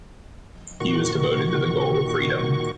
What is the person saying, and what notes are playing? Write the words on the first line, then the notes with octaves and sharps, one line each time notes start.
He was devoted to the goal of freedom.
A#2 D#3 F#4 C#6